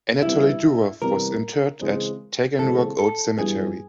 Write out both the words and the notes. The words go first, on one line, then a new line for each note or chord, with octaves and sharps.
Anatoly Durov was interred at Taganrog Old Cemetery.
C3 E3 G3 B3 E4
C3 E3 G3 B3 A#4
C#3 E3 G#3 C4
C#3 E3 G#3 C4 A4
A4
G2 E3 G3 B3 E4 G#4